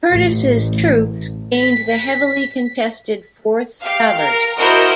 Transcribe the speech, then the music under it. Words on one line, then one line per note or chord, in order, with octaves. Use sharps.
Curtis's troops gained the heavily contested fourth traverse.
A1
B6
G4 F5
A#4
E4 F#4 A#4 C5 D#5 G6